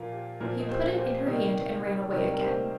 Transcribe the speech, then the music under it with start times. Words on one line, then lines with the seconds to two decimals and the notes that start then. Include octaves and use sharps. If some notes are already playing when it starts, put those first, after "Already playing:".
He put it in her hand, and ran away again.
Already playing: A#2 F3 A#3 F4 A#4
0.12 G4
0.40 A#2 F3 A#3 F4 A#4
0.60 D#5
0.69 G4 C5
0.97 G4 C5
1.26 C3 D#3 G3 A#3 A#4 D#5
2.12 C3 D#3 G3 A#3 A#4 D#5
2.34 A#4
2.41 G4 C5